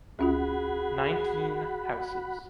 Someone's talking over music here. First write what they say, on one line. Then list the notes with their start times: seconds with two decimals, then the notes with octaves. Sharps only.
Nineteen houses.
0.19 D2 C#4 F4 F#4 G#4 F#5 B5